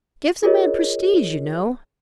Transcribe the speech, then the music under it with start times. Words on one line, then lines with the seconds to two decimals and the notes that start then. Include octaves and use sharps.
'Gives a man prestige, you know.
0.43 F4 G#4 A#4 C#5 D#5